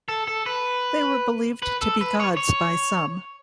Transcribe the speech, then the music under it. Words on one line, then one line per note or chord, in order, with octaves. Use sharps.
They were believed to be gods by some.
A4
A4
B4
B4
A4
B4
C#5
C#5